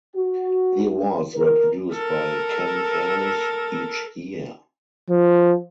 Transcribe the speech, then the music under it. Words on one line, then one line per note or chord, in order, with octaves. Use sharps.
The awards were produced by Ken Ehrlich each year.
F#4
A#4
A4 A#4
F3